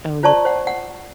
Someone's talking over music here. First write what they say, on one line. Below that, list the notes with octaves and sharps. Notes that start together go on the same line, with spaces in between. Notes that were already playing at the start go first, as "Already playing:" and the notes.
Oh ye
F4 C5 D5 A5 A#5 C#6
C5 F#5
F#5